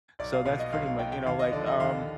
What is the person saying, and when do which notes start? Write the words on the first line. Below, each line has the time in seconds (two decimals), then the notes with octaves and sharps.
So that's pretty mu you know, like, um,
0.19 B1 D5
0.33 F5
0.45 B2 F5
0.59 D#5
0.72 B1 F5
0.86 F5
0.99 B2 G5
1.12 G5
1.26 D#2 F5
1.39 D#5
1.52 D3 F3 D5
1.66 D#5
1.79 D#2 F5